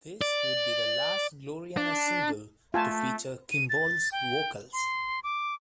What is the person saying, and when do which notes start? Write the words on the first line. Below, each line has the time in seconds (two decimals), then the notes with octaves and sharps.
This would be the last Gloriana single to feature Kimball's vocals.
0.21 D5
1.77 D4
2.74 A3 F4 G#5 A5
3.51 D#7
3.70 A6
4.12 G5
4.73 C6
5.24 D6